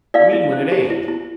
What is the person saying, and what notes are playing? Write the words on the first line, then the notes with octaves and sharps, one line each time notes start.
"I mean when it ain't."
E4 D5 F5
E4
C5
G4
E4
E4